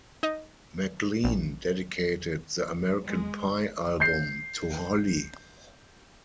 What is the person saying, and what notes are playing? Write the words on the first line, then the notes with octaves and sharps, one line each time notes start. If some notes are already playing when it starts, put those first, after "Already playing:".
McLean dedicated the "American Pie" album to Holly.
D#4 D#5
A#1
G#3
G6 C7